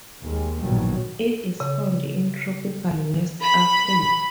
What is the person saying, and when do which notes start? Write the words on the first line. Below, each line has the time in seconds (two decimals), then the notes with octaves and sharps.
It is found in tropical West Africa.
0.23 D#2 G#3
0.61 A#1 G2 B2 D#3 F#3 G3
1.60 C#3
3.41 B5